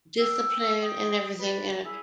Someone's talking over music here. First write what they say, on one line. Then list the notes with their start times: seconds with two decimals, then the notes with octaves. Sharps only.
Discipline and everything and a
0.17 G5 E6
0.80 D#5 G5 D#6
1.36 B4 D5
1.81 E4 G#4